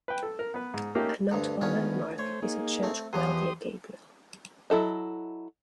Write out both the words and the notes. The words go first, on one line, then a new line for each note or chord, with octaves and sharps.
A notable landmark is a church Weldiya Gebri'el.
B4 G5
A4
A#4
B3 B4
G#2
A3 A#3 C#4 D#4 G4 A#4
D2 G2 D3
D2 D#3 B3 C#4 F4
A3 C5 C#5
A#3 D#4 G#4
A3 C4
E2 E3 F3 G4 C6 D#6
F#3 E4 A4 D#5